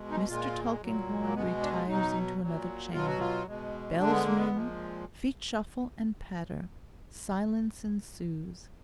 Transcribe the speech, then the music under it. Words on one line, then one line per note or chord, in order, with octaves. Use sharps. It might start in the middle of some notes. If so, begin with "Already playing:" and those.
Mr. Tulkinghorn retires into another chamber; bells ring, feet shuffle and patter, silence ensues.
Already playing: B2 G#3
D#4
A#2 G#3 F4
A#2 F#3
A#3
B2 G#3 B3
D4
B2 F#3 D#4
A#2 F#3
B2 F#3 F4
F#4
F4
B2 G#3
D3 G#3 D4
B3
A#3
B3
A#2 F3 G#3